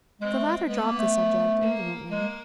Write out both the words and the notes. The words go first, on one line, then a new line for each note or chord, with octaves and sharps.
The latter dropped the subject indolently.
G#3 C4
A3
G#3
G#3 B3
A#3
A3
A#3
G#3 A#3